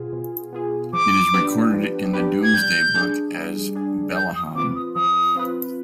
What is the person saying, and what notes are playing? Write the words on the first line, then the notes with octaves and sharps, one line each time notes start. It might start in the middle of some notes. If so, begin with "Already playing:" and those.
It is recorded in the Domesday book as Beleham.
Already playing: B2 B3 F4 G#4
B2
B3 F4 G#4
F3 D6
B3 D4 G4 B4
F3
B3 D4 G4 B4
G#6
G3 G6
D4 G#4
G3
D4 G#4
F3 G6
D#6
C4 F4 B4 D6
D#6
F3 D#6
C4 F4 B4